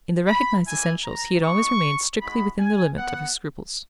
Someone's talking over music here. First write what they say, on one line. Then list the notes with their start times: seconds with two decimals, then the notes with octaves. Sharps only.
In the recognized essentials he had always remained strictly within the limit of his scruples.
0.27 B5
0.66 A#3 E4 G#5
1.05 A#5
1.43 G#3 B3 D#4 C#6
2.20 G#3 D#4 F#4 B5
2.59 G#5
2.98 B3 F#4 F#5